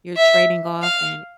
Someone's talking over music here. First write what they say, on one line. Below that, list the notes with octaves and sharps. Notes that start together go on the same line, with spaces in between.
you're trading off and
E5
F5